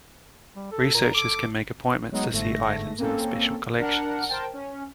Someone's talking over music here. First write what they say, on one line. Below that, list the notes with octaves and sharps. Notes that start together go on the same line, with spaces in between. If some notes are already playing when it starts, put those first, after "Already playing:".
Researchers can make appointments to see items in the special collections.
G3
A4
A#2 A#4
A4 D6
F#3 G#3 B3 D#4
G1 G#2 A3 A#6
A#3 C4 C#4 A4
D4 A#4 F#5
A#4 C5 G5 A5
C#4